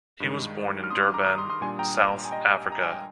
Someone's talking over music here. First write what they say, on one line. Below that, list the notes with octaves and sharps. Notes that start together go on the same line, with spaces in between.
He was born in Durban, South Africa.
G2 D#3 G#3
F6
C6 D#6
D6 F6
A#5 D6
A#5 D6
C6 D#6
C6 D#6
A#2 G3 D4 G#5 C6
G5 A#5
G#5
D#5 G5
A#5
G#5
G5